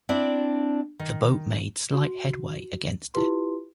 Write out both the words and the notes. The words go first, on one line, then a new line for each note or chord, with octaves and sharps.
The boat made slight headway against it.
C4 D4 E4 D5
D#3
F#4
E4 F4 G4 B4 C6